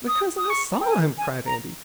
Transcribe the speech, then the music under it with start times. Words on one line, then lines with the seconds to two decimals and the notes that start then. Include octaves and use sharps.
"Because I saw 'em!" cried Andy.
0.08 D#6
0.38 D#6
0.50 C#6
0.80 G5
0.91 G#5
1.18 G#5
1.46 A#5